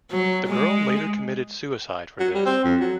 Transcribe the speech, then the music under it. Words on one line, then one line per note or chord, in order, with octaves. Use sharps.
The girl later committed suicide for this.
F#3
G#3
F#3
G3
C4
F2
F#3